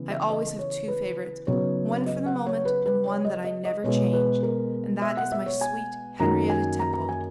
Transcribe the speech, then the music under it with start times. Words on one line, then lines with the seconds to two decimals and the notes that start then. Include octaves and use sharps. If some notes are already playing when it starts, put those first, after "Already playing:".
I always have two favourites: one for the moment, and one that I never change, and that is my sweet Henrietta Temple.
Already playing: C#3 E3 B3
0.10 E5
0.30 D#5
0.59 C#5
0.88 B4
1.47 C#3 F#3 B3 D#4 C#5
2.06 D#5
2.26 F#5
2.47 C#5
2.65 B4
2.86 B4
3.06 C#5
3.25 D#5
3.44 D#5
3.65 D#5
3.84 B2 G#3 B3 C#5
4.13 B4
4.43 A#4
5.02 E5
5.17 F#5
5.32 E5
5.46 C#5
5.61 G#5
6.20 F#2 D#3 F#3 A#3 D#4 A#5
6.50 G#5
6.79 A#5
6.94 A#5
7.09 G#5